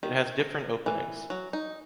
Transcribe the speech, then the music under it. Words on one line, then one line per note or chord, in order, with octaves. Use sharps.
It has different openings.
D#3
A#4
E3
F#3
D#4